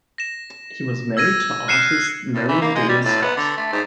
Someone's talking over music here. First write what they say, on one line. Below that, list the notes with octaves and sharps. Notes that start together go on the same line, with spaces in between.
He was married to artist Marian Dale Scott.
A#6 E7
E6 G#6 A#6 D#7
F6 F#6 C7 C#7 D#7 E7
A2
E3
A#3
G#3
G3
A2
B3
D3
A3
G#2